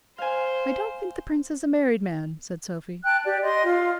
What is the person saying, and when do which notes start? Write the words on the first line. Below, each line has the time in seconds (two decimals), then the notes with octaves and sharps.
"I don't think the prince is a married man," said Sophy.
0.18 C5 F5 G#5
3.05 G5 A5 F#6
3.24 G4 D5
3.42 D#5 C6
3.63 F4